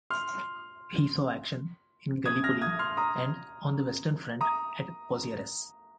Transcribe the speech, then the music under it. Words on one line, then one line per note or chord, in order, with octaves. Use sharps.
He saw action in Gallipoli and on the Western Front at Pozieres.
C6 F6
D#6 G#6
F6 A#6
D#6 G#6
C6 F6
A#5 D#6
A#5 D#6